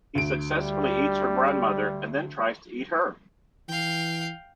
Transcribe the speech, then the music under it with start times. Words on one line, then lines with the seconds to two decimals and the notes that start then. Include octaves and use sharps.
He successfully eats her grandmother, and then tries to eat her.
0.15 D2 D7
0.52 G3
3.69 E3 F5 G5